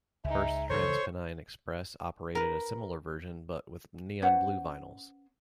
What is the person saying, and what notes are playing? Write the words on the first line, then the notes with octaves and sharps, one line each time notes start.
First TransPennine Express operated a similar version but with neon blue vinyls.
C#2 G#3 D#4 E5
C#2 C#3 E3 A4 C5 C#5 C#6
A#4 B4
C#4 B4 C5 F#5